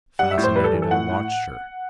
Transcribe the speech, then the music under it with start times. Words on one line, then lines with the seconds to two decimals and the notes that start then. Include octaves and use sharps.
Fascinated, I watched her.
0.19 G3 F#5
0.31 E5
0.38 A2
0.44 C5
0.55 G3 B4
0.64 A4
0.73 E3
0.82 A4
0.91 A2 F#5
1.10 A2